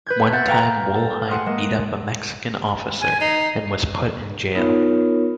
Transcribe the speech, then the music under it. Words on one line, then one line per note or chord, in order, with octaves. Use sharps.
One time Wolheim beat up a Mexican officer and was put in jail.
B4 G6 G#6
E5 F#5 G6 A6
F5 G5 A#5
A4
G#4 F#5 C6 D#6 F6
G#3 A#3 E7
G#5
D#4 C7
B3 D#4 F4 A#4 C#5